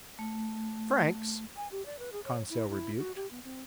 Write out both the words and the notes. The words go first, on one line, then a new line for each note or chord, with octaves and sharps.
"Francs!" Conseil rebuked.
A3
G#5
G4
D5
B4
G#4
C#5
E4
E4
F#4
G4
B3
C4